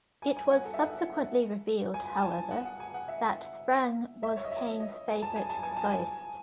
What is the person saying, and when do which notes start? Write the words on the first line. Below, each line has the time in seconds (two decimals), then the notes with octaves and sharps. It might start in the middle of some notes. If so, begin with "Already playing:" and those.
It was subsequently revealed, however, that Sprang was Kane's favorite "ghost".
0.22 G#5
0.36 G#5
0.51 F#5
0.65 A4
0.74 E5
0.79 F#5
1.94 G#5
2.17 A5
2.23 G#5
2.51 F#5
2.65 F#5
2.80 G#5
2.94 F#5
3.08 E5
4.23 E5
4.36 C#5
4.44 D#5
4.51 E5
4.80 D#5
5.08 G#5
5.22 A5
5.36 G#5
5.49 A5
5.63 G#5
5.77 A5
5.90 G#5